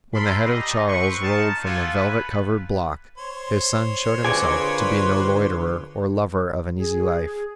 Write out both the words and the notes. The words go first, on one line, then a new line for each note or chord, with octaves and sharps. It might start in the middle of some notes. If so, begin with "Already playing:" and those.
When the head of Charles rolled from the velvet-covered block his son showed himself to be no loiterer or lover of an easy life.
A4 A#4 B5 C6
G3 D#4 D#5
C4 B4 C6 C#6
D#4 F4 A5
F4 G4 A4 F5 F#5 G#5
B4
C5 C#5
D3 F4 G#4 A#4 B4 D5 G#5
G#4